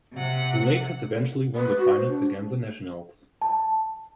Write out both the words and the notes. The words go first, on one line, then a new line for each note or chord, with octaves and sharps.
The Lakers eventually won the Finals against the Nationals.
C3 F#5
B4
F#4
C5
D4
A5